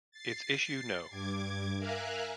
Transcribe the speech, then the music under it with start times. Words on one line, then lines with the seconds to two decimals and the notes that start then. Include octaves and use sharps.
Its issue no.
0.11 A6 C7
1.09 G2 D6 G#6
1.78 A#4 E5 F5 G#5 A#5 F#6